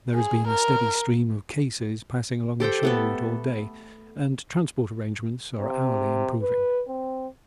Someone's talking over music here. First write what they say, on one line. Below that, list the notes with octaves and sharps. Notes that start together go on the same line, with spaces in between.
There has been a steady stream of cases passing along the shore route all day and transport arrangements are hourly improving.
G#4
A#4
G4 A4 C5 G5
A3 B3 A4
C3
B4
C4